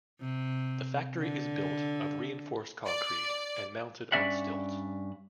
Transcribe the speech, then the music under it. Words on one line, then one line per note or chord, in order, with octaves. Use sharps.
The factory is built of reinforced concrete and mounted on stilts.
C3
D3
D5
G2 G#3 C#4 D5 E5 F#5